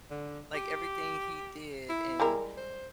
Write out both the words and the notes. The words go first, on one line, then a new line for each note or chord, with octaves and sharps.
like, everything he did and,
D3
G4
E4
G3 G#3 A#4
C5